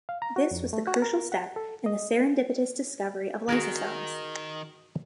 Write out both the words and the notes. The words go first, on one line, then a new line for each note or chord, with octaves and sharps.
This was the crucial step in the serendipitous discovery of lysosomes.
F5
A#5
F#4
F2
A3
F#4
A#4
F#5
A4
D#5
D#3 F#4 G#4 A#4